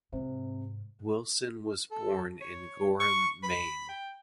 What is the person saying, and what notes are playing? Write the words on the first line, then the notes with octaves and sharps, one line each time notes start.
Wilson was born in Gorham, Maine.
G#2 C3
A4
C#5
C#6
B5
G5